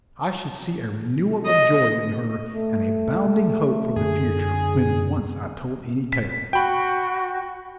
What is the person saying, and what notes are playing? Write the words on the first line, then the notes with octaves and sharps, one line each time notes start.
I should see a renewal of joy in her and a bounding hope for the future when once I told any tale.
D#5
A3
F#2 D3 G#4
B6
F#4 G5 B5